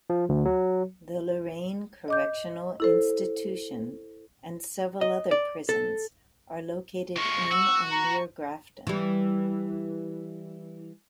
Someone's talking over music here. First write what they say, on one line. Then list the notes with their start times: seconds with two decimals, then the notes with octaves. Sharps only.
The Lorain Correctional Institution and several other prisons are located in and near Grafton.
0.10 F3
0.29 D2
0.45 F#3
2.08 D#5 D6 G6
2.80 E4 A4 C5
5.01 D#5
5.31 D5
5.69 A4
7.17 F3 G#3 C#6
7.52 F#4 E6
7.92 A#5
8.87 E3 G3